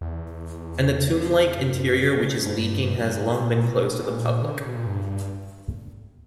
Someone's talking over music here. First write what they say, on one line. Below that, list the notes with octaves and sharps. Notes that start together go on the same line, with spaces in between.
And the tomblike interior, which is leaking, has long been closed to the public.
E2
G2
F#2
G2
G2
F#2
G2
A#2
B2
B2
A#2
D3
C#3
B2
A#2
G2